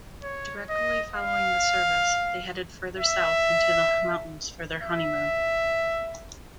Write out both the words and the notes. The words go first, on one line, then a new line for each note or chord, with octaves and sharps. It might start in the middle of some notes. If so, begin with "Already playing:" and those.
Directly following the service they headed further south "into the mountains" for their honeymoon.
C#5
D#5
F5
E5
E5